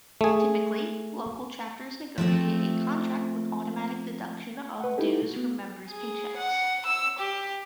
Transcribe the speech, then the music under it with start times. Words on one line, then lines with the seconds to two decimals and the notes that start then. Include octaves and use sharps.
Typically, local chapters negotiate a contract with automatic deduction of dues from members' paychecks.
0.21 A3 G#4
2.18 F3 A3 C4
4.80 B4 F#5
4.98 D#4 E4 F#4 G4 A4
5.24 F#4
5.36 B3
5.89 G#4
6.37 F#5
6.86 E6
7.19 G4